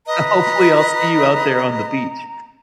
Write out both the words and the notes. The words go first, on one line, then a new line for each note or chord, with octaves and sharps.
Hopefully, I'll see you out there on the beach.
B4 D#5 A#5